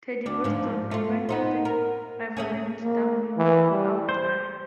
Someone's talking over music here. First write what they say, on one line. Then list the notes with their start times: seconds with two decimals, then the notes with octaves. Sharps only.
Teddy Boston, a friend of the Reverend W Awdry.
0.26 D2 D4
0.44 G#2 F3
0.91 A3 F4
1.29 B3 D#4 C5
1.65 A#4
2.37 A3 C#4 G#4
2.83 A#3
3.37 E3
3.71 G3
4.09 C5